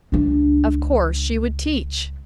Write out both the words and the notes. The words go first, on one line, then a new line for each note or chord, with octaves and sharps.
Of course she would teach!
C#2 D4